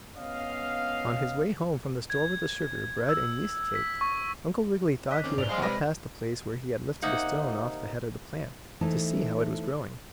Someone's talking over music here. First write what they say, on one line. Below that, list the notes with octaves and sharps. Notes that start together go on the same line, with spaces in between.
On his way home from the store with the sugar, bread and yeast cake, Uncle Wiggily thought he would hop past the place where he had lifted the stone off the head of the plant, to see how it was growing.
B3 C#4 D#5 F5
G#6
E6
B6
C#6
D#5 D6 F#6 B6
D#3 C4 C#4 D6
G#2 D5 F7 G7
B1 G#3 C5 F5 F6
C3 G#3 B4 D5 A#6
C3 A#3 D#4 F#5
E3 A3 D#4 E4 C5 A5